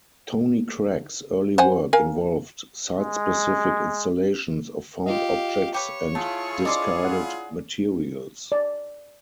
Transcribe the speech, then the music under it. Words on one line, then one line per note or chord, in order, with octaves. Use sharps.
Tony Cragg's early work involved site-specific installations of found objects and discarded materials.
C5 F#5 G#5
A#4 F5 G#5
G#3
F4 G4 D#5 F5
G4 B4 C#5 C#6
A3 E4 F4 G#4 A5
D4 A4 D5 D#5 C6
F#5
D5